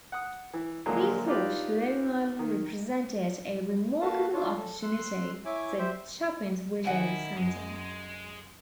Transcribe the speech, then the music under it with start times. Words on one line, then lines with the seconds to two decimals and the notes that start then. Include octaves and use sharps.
"He thought Long Island represented a remarkable opportunity", said Chapin's widow, Sandy.
0.12 F#5 D#6
0.54 E3
0.86 A#2 D3 F3 F#3 G#3 A#3
1.26 D4 D#4 F4 G4 B4 D5
2.39 D#3
4.01 A#3 F#4 A4 B4 F5 A5
4.33 D4 F4 C#5
4.57 A4
4.83 C6 E6 F#6
5.45 E4 C#5 E5 G#5 D6
5.78 G4 C5 E5
6.85 D#3 E4 F#5 G#5
7.37 F#2 G#3